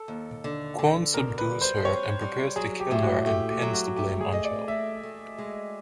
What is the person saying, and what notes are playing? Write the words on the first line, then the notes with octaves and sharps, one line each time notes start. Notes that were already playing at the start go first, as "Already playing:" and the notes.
Kwon subdues her and prepares to kill her and pins the blame on Jo.
Already playing: A4
D#2
D3
D3
B2 A#4
B4
G3
C5
C4 C#5
G3
F#3 G#4
G4
A2
F#4
A3 G4
G4
F#3
F#4
A3 G4
G#4
A3 D#5
D5
A3 E5
A3
G#3